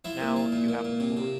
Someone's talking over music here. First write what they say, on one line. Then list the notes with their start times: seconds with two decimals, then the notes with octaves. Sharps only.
Now you have the floor.
0.04 F3 E4
0.21 A#2
0.36 F3
0.52 A#2
0.68 A#2
0.85 A#2
1.00 C3
1.17 C3